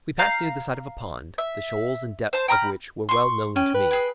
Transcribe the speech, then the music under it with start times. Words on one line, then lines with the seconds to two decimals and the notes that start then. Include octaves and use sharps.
We passed near the side of a pond, the shoals and depths of which were well known to me.
0.19 F5 A#5 G6
1.38 E5
2.33 C5 A5
2.48 G5 A#5 B5 F6
3.09 C6 C#6
3.56 C#4 G5
3.74 B4
3.91 G#4 G5